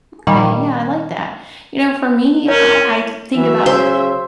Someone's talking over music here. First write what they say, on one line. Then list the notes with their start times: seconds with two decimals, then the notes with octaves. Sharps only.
Okay, yeah, I like that. You know, for me, I I think about
0.27 A#2 D#3 G3
2.48 C#4 E4 A#4 C#5
3.36 E3 F#3 E5
3.66 C#3 C5